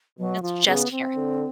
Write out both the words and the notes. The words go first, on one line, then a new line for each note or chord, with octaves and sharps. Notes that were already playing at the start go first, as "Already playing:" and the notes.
That's just here.
B2 F#3
F3
C#3 B3
C4
D3